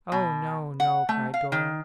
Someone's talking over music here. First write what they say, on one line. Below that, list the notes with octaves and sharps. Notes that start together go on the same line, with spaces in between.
'Oh, no, no!' cried Dora.
B2
F#5
A3
F5
D#3